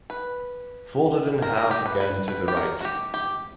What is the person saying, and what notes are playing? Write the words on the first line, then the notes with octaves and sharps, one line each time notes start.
Fold it in half again to the right.
B4
A#4
A#4
G4
B4
B4
B4
G4
A#4
F#4
G4
G4